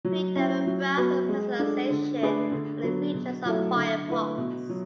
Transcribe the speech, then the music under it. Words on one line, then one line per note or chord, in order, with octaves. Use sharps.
Freedom and browser personalization are the features of Firefox.
F#3
C#4 E4
F#3
B3 F#4 B4
G#3
D4 A4
D3
A3 D4 G#4 B4
D3
F#3 B3
B2
F#3 A3 E4 A4
D3
A3 E4 B4
B2
F#3